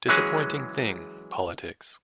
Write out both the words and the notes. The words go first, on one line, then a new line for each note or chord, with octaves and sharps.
Disappointing thing, politics.
E3 F#3 G#3 C#4 G#4